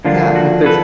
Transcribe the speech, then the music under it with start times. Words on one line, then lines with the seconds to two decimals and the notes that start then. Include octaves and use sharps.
Yeah, if there's
0.05 D3 F3 A#3 D4 F4
0.36 F#4
0.66 A4 B4